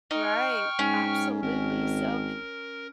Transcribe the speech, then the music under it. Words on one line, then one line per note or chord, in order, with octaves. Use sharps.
Right. Absolutely, so,
D#4 G5 C#6 F6
G#2 C#4
G#1 A#4